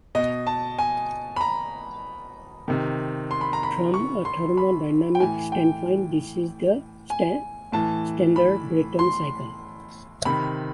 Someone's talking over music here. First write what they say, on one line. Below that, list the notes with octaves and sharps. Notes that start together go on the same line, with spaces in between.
From a thermodynamic standpoint, this is the standard Brayton cycle.
B2 D#5
A5
G#5
B5
A#5
C3 D#3
C6
B5
A#5
B5
C#6
C6
B5
G5
A2 E3 G#5
G5
G#5
A2 E3 A5
B5
C6
C3 D#3 B5